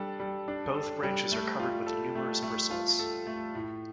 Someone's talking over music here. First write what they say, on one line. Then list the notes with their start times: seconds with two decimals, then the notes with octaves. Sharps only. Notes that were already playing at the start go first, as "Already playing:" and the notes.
Both branches are covered with numerous bristles.
Already playing: G3 D4 A4
0.20 G3
0.48 D4
0.75 A4
1.03 G3
1.32 A3
1.60 F4
1.86 A4
2.15 A3
2.43 A3
2.70 F4
2.99 A4
3.27 A3
3.55 A2